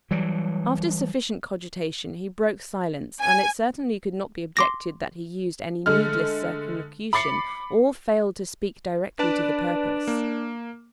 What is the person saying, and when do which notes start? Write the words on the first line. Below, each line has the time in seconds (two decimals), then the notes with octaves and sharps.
After sufficient cogitation he broke silence, and it certainly could not be objected that he used any needless circumlocution, or failed to speak directly to the purpose.
0.11 E3 F#3 G3
3.23 G#5
4.57 C6 D6 A#6
5.86 D3 G#3 A3 F6
7.13 B5 D6 A6 C7 C#7
9.19 D4 B4 D5 A5
10.08 A#3